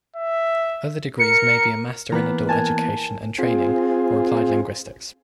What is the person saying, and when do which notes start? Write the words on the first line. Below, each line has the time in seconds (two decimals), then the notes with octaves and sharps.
Other degrees may be a Master in Adult Education and Training or Applied Linguistics.
0.16 E5
1.19 A#4 C#7
2.12 E3 A#3 B3 B4 A#5
2.49 A#4 G#5 A5
3.39 C4 F4 G#4